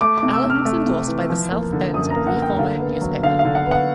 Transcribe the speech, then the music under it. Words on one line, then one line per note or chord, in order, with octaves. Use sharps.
Allen was endorsed by The South Bend Reformer newspaper.
A3 D6
D6
C3
E6
C3
F6
A3
C3
E3
F3
A#3
D3
F#2 D#6
A#5
A#3
F#5
A#3
G5
D3 F5
B3
F#3
D3 F5
F5
D3
F#5
B3
F#5